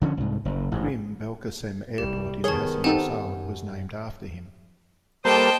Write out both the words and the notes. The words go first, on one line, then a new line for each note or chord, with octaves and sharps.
Krim Belkacem Airport in Hassi Messaoud was named after him.
D3 F3 B3 C#4
C2 G#2
F#1
A1 G#2
C2 G3 G4
D#3 B3 G#4 A#4 C#5 A5
C4 D#4 G4 A4 F#5 G#5
F#2
G3 A#3 A4 C5 D#5 G5 A5